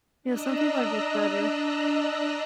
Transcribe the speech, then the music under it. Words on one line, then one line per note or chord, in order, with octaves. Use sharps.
Yeah, some people are just better.
D4 D#5 A#5 E6 F#6